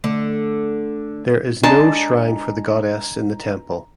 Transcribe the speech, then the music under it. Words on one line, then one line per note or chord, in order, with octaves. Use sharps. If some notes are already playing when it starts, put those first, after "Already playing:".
There is no shrine for the Goddess in the temple.
D3 A3
G#3 D4 A5 A#5